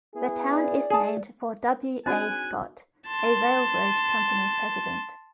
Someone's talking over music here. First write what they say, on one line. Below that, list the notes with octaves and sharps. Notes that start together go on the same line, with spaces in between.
The town is named for W. A. Scott, a railroad company president.
B3 E4 G#4
D5
G#4 A5
C4 D4 D#4 F#4 G#4 G#5 F#6
A5 C6